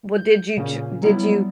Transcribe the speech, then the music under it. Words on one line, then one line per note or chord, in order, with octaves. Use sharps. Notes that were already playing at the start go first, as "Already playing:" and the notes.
Well, did you ch did you
G6
A#2 C#3 A#3 C#4
F#3 G3 B3 E4